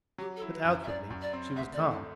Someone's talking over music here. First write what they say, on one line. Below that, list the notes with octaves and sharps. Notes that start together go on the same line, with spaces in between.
But outwardly she was calm.
F#3 G4
A4
E4
B4
F#2
C5
E5
F#2 D5
F#2
D5
C4
D2 E5
D5
A3
E4